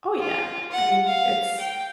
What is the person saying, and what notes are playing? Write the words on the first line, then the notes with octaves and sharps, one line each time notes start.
Oh, yeah. I mean, it's
F4
F#5
F5
G5